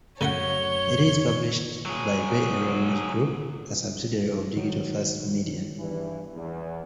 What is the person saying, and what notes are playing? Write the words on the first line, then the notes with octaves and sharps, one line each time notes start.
It is published by Bay Area News Group, a subsidiary of Digital First Media.
F#2 C#3 A3 C#5 F#5 G7
F#3 G#4
D#3 F#3
E2 G2 E3
E2